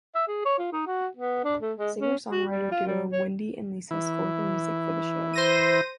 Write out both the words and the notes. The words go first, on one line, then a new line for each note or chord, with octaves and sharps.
Singer-songwriter duo Wendy and Lisa scored the music for the show.
E5
G#4
C#5
F4
D#4
F#4
B3
D4
A3
G#3
C#4
F#4
G3
F4
G3
C#5
E3 E4
C5 A#6 D#7